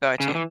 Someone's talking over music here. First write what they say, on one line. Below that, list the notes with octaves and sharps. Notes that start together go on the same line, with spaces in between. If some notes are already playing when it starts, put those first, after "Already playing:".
Got you.
C#3
D3
E3